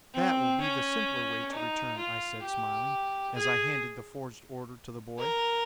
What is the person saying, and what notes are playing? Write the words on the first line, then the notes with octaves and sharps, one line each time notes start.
"That will be the simpler way to return," I said, smiling, as I handed the forged order to the boy.
C4
C#4
D#4
F4
G4
G#4
A#4